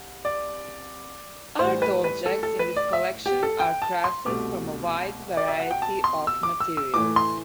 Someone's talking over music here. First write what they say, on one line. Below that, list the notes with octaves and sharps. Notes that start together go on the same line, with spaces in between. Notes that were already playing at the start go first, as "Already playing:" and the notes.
Art objects in this collection are crafted from a wide variety of materials.
Already playing: C2
D5
A2 E3 G3 C5
B4
B4
A4
A4
B4
D5
E5
G4
A4
G5
A5
C6
C2 B2 A3 D6
D5
E5
F#5
G5
A5
C6
E6
D6
E6
E6
A2 E3 A3 D6
C6